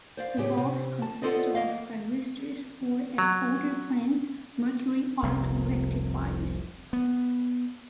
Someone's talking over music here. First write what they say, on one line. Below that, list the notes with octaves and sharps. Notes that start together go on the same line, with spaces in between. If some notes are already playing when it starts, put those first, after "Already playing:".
The valves consist of thyristors, or at older plants, mercury arc rectifiers.
C5 D5 F5
A2 C#3 G4
C3
A5
B3 F4 A4 C5 D5 D#5
A#3 D#5 F5
F#3
F1 C2
B3